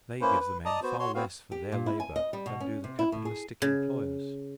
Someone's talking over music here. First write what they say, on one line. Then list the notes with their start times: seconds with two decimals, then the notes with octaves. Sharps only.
They give the men far less for their labour than do the capitalistic employers.
0.21 A#3 C#4 E4 B4 C5
0.40 B4
0.65 D5 D#5 A5 A#5 D#6
0.83 B3 F#4 C5
0.99 F#4 C#5 C6
1.15 B3 C4 F#4 F5
1.52 G4
1.72 A#2
1.86 E4
2.00 G#5
2.16 D#5
2.33 G3
2.46 B2
2.60 C#4
2.84 C3
2.99 E4
3.12 A2
3.25 G#4
3.62 C#3